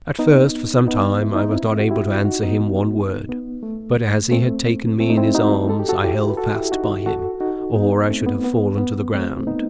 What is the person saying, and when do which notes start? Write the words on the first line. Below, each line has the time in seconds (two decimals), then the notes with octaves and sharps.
At first, for some time, I was not able to answer him one word; but as he had taken me in his arms, I held fast by him, or I should have fallen to the ground.
0.19 B3 D#4
0.87 B3 D#4
1.22 E4
1.36 D#4
1.49 C4 E4
1.79 F#4
1.91 E4 G4
2.25 D#4 F#4
2.43 B3 D#4
3.29 B3
3.63 A3
4.31 A3 C4
5.00 A3 C4
5.10 D#4
5.18 C4 E4
5.35 D#4 F#4
5.69 A4
5.79 G4
5.89 F#4 A4
6.03 E4 G4
6.30 B4
6.37 F#4 A4
6.55 E4 G4
6.72 D#4 F#4
7.06 F#4 A4
7.40 D#4 F#4
7.76 B3 D#4
8.09 A3 C4
8.26 B3
8.44 B3
8.78 B3
9.12 A3 C4
9.47 B3 D#4